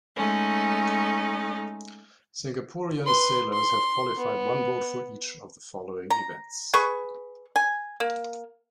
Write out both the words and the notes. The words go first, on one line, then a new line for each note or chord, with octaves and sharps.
Singaporean sailors have qualified one boat for each of the following events.
G#3 A3 C#4 D#4
B4 C6
C6
B3
A#5
G#4 B4 C#6
G#5
A#3